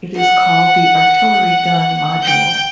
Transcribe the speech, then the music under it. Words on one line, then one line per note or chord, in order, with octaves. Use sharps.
It is called the Artillery Gun Module.
F#5
G5